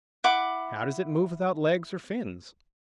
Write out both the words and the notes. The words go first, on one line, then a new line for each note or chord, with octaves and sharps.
How does it move without legs or fins?
E4 F#5 D6